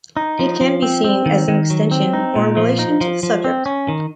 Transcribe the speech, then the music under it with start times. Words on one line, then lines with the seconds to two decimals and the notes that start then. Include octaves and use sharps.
It can be seen as an extension or in relation to the subject.
0.17 D#4
0.39 F3
0.61 F3
0.82 C4
1.04 C4
1.26 D#3
1.48 D#3
1.70 F#3
1.91 C4
2.13 D#4
2.35 A#2
2.57 F3
2.79 D#4
3.01 F3
3.23 F3
3.44 C4
3.66 C#4
3.88 D#3